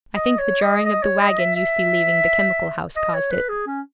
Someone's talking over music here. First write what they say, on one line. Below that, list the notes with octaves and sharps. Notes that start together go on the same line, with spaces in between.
I think the jarring of the wagon you see leaving the chemical house caused it.'
D#5
C#5
D#5
D#5
C#5
D#5
E5
E5
D#5
C#5
B4
G#4
C#4